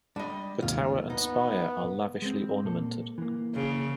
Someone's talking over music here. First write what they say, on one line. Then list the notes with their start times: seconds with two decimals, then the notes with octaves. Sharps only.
The tower and spire are lavishly ornamented.
0.16 G3 D4 D#5
0.62 D#2 G#2 C3 F4
1.10 B3 D#4
2.22 G#3 C4
2.64 A#2 A#3 A4
3.18 E3 A#3
3.55 C#3